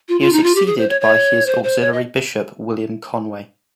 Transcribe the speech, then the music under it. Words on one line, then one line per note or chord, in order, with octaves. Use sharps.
He was succeeded by his auxiliary bishop, William Conway.
F4
F4
D#4
F4
G4
G#4
C5
C#5
C#5
C5
C5
C#5
D#5